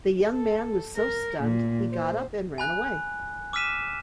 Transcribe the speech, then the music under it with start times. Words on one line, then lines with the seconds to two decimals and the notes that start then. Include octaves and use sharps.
The young man was so stunned he got up and ran away.
0.31 A4
0.96 A#4
1.41 A#2
1.90 C5
2.58 G#5 B5 F#6
3.53 D6 E6 F6 B6 D#7 E7